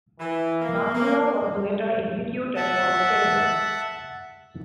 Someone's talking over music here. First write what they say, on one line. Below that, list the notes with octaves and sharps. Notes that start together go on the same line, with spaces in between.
Bangura was later executed for treason.
E3
A#3
A#3
E5 F#5 A5